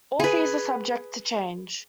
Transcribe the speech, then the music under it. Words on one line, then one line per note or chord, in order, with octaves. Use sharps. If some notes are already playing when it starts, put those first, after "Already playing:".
All fees are subject to change.
G#4 B4